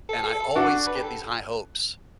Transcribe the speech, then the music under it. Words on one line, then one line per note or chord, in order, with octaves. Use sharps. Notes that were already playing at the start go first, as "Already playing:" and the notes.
And I always get these high hopes
A4
A4
D4 F#4
B4
G4
A4